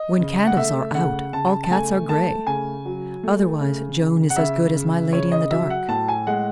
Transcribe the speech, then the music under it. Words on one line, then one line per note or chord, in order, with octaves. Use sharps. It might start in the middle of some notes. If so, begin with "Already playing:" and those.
"When candles are out, all Cats are grey." Otherwise, "Joan is as good as my Lady in the dark."
Already playing: D#5
C#3
F#5
A3 E5
C#3 F#5
C#3 A5
A5
A3 G#5
A3 A5
C#3 G#5
F#3
A3
C#3
C#3
F#5
C#3 E5
C#3
C#3 C#5
D#5
F#3 E5
F#5
A2 A5
G#5
G#3 F#5